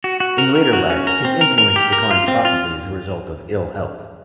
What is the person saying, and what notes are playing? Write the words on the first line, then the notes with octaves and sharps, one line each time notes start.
In later life, his influence declined possibly as a result of ill health.
F#4
F#4
A#4
A#4
F#4
C#4
A#4
C4
A#4
A#4
G4
A#4
F4
C4
F4